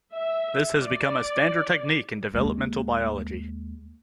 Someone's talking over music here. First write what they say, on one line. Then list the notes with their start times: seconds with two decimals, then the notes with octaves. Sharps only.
This has become a standard technique in developmental biology.
0.12 E5
0.75 D5
2.34 D#2 G#3